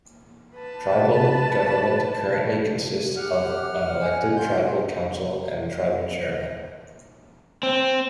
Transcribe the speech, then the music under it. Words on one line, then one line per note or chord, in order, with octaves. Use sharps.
Tribal government currently consists of an elected tribal council and tribal chairman.
B4 A5
G4 F#5 F6
G#5
D#3 F4 G6
C4